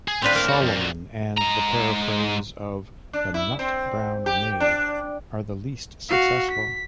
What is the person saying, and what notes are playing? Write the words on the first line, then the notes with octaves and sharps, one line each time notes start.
"Solomon", and the paraphrase of "The Nut-Brown Maid", are the least successful.
G#4
A2 C4 D4 B4 F5
A#3 A#4
F#4 D5
F2
A#2 F#3
G#2 A#5
D4
E4
C4
G4
D4
F#4 F5
B6